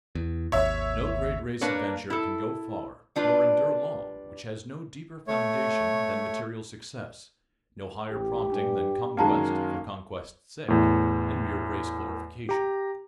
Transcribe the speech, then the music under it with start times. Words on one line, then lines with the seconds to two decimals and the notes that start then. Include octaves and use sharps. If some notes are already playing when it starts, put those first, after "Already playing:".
No great race adventure can go far nor endure long which has no deeper foundation than material success, no higher prompting than conquest for conquest's sake and mere race glorification.
0.15 E2
0.52 G#1 D#2 C#5 E5
1.61 A#3 D4 A#4 B4 C#5
2.10 E4 A4
3.16 G3 D4 F4 B4
5.27 A3 C#5
8.11 A1 G4
8.52 G2 D4
9.17 F#2 D#3 G#3 A#3 G5 A5 A#5
10.68 E2 A2
12.49 G4 A#5